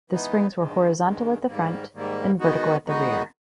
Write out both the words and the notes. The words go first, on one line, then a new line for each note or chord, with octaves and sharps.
The springs were horizontal at the front and vertical at the rear.
E3 G#3 B3 D#4
G2 D#3 G#3
G2 D#3 G#3
G#2 D#3 G3 A#3
G#2 D#3 G3 A#3
D#3 G#3 B3 D#4 F#4
D#3 G#3 B3 D#4 F#4